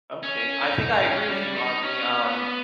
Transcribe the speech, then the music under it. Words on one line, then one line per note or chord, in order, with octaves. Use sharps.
okay I think I agree with you on the, um,
C#4
D#4
C#4
G3
D#4
C#4
B3